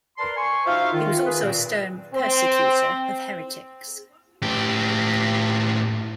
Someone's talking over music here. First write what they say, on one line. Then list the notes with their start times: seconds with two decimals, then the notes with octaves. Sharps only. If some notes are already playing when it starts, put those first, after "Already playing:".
He was also a stern persecutor of heretics.
0.18 A#4 B4 D5 A5 C6
0.37 G#5 C6 C#6
0.66 D#4 F4 F#4 C5 E5 F5
0.92 D#3 F4
1.25 G#4 B4
1.41 A#2 C#3 C4
2.14 C4
4.42 A2 G4